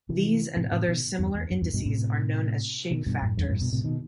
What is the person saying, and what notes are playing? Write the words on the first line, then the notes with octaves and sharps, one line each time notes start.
These and other similar indices are known as shape factors.
C3 E3
A2 C3
A2 C3
B2 D#3
E2 G2
E2
F#2
E2 G2
G2 B2
A2 C3
B2 D#3
G2 B2
F#2 A2
E2 G2
F#2 A2
G2 B2
A2 C3
B2 D#3